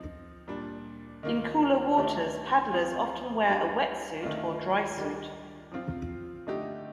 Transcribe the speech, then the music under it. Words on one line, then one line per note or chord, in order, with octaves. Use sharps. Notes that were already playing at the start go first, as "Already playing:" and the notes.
In cooler waters, paddlers often wear a wetsuit or drysuit.
Already playing: F3 C4 D#4
A#2 G3 D4
D#3 A#3 F4
D#3 A3 D4 G4
F3 C4 F4
G3 D4 G4
D#3 A3 D4 F4
D#3 G3 D4
F3 C4 F4
D3 A3 D#4 G4